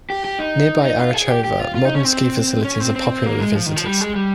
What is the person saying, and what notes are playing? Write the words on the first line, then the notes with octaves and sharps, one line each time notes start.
Nearby Arachova, modern ski facilities are popular with visitors.
G4
G4
D#4
D#4
F4
G#4
G4
G4
F4
F4
D#4
C#4
C4
C#4
C4
C4
A#3
G#3
F3
D#3
F3
G3
G#3
G3